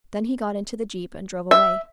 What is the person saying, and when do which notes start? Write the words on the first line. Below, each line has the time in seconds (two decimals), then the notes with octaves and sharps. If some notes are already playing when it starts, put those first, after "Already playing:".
Then he got into the jeep and drove away.
1.51 E5